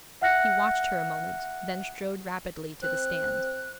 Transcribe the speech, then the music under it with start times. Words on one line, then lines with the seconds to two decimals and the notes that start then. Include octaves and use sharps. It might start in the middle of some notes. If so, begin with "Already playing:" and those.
He watched her a moment, then strode rapidly to the stand.
0.21 E5 F#5 F6 F#6 A#6 C#7
2.82 C4 F#6